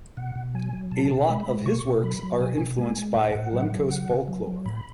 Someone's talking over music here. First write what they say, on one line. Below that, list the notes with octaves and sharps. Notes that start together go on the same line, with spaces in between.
A lot of his works are influenced by Lemkos folklore.
B2 F#5
B2
F#3 G#5
F#3
B2 A5
B2
G#3 B5
G#3
B2 C#6
B2
F#3 B5
F#3
B2 G#5
B2
G#3 G#5
G#3
A2 F#5
G#5
A2 F#5
F#3
F#3
C#3 F#5
C#3
F#3
F#3
A2 B5